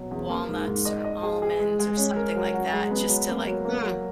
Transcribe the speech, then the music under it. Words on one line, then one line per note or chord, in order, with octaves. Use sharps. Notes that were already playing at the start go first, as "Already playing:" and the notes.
walnuts or almonds or something like that just to like, mm.
Already playing: B2 F#3
E2
A#3
G#2
G#2
D#5
D#5
G#4
G#4
G#3
G#3
C#4
A#4
F#3
F#4
G#3
B3
F#3
A#3
F#3
A#3
F#3